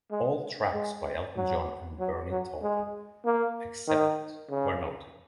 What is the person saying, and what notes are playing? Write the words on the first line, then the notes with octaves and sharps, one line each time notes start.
All tracks by Elton John and Bernie Taupin, except where noted.
G#3
G#3
F#3
F#3
F#3
G#3
A#3
D#3
C#3